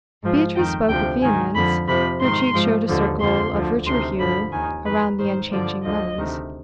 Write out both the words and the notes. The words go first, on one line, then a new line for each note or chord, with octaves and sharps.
Beatrice spoke with vehemence; her cheeks showed a circle of richer hue around the unchanging rose.
G#2 F3
F2 D#3 G5
D2 C3 F3 G5
G#2 D#3 G#5
F2 D3 F3 B5
F2 C3 F3 B5
G#2 D#3 C6
G#2 F3
D#2 D3 F3
F2 D3 F3 C6
D2 D3 F3
D2 C3 D#3 C6
G2 D3 F3 B5
D#2 D#3 G#5
F2 D#3 B4
G#2 D#3 C5
G2 D3 F3 D5
D2 D3 F3 D#5
D2 C3 D#3